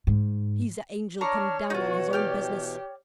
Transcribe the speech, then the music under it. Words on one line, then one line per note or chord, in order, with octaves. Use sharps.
He's a angel come down on his own business.
G#2
D4 C#5 A#5 C#6 F6
B2 E3 D#4 F4 F#4
G4 D5 G5 F6